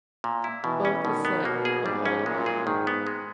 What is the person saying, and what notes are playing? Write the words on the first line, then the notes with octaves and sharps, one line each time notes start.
Both the set of all r.e.
A#2
E4
B2 E3
C#4
B2 D#3
B3
B2 A#3
G#4
G#2 G3
C#4
A#2 G#3
G#4
G#2 D#3
B3
G#3